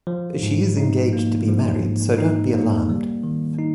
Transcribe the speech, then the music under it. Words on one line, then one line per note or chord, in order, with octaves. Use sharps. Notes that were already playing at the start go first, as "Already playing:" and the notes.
She is engaged to be married, so don't be alarmed.
F3
G#2
D#4
A#3
F3
G#2
D#4
A#3
G3
D#3
D#4